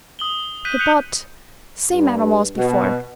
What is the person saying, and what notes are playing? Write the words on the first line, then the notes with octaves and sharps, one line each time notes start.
Hippot--same animal as before.
D#6 F#7 G7
F#6 G6 B6 D#7
F#6 G6 B6 C#7 D#7 F7
G2
B2